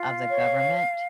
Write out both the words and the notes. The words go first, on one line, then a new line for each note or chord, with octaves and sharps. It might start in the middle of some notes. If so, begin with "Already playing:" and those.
of the government
Already playing: F4 F5
C#5